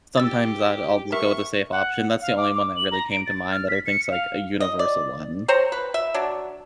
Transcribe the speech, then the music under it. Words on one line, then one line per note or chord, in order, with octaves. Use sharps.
Sometimes I'd I'll just go with the safe option, that's the only one that really came to mind that I think is like a universal one.
G4 E6 A6
A#4 E5 C#6
F#5
F5
D6
D6
F#7
A#5
D7
A6
F6
B6
C#7
F5
D#5
D5
C4 C5 C#5 A#5
B4
E5
F#3 D4